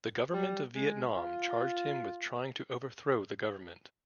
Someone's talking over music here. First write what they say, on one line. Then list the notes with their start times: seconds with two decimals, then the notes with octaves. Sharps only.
The government of Vietnam charged him with trying to overthrow the government.
0.33 G3
0.75 G#3
1.16 F4